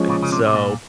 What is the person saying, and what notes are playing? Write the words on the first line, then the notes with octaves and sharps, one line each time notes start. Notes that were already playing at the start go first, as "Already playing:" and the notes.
I so
Already playing: F3 G#3 C#4
A#2 C#3
C#3
C3
C3
A#2